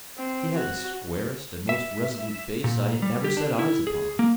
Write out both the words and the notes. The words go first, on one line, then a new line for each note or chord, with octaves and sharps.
He had the squarest and most resolute face I ever set eyes upon.
C4
F#4
E5
A#2
G3
G4
D4
E4
G#4
A#3